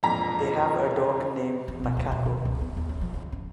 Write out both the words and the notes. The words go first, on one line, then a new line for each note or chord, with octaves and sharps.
They have a dog named Macaco.
E1 F2 A#2 A#5 B6
E2
B2
D2
B2
D#3
C#2
B3
D#2
C#4
F3
D3
C#4